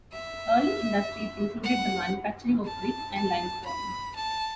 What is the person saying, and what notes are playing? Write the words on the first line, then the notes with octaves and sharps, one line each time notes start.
Early industries included the manufacturing of bricks and limestone.
E5
F#5
A5
A5
B5
A5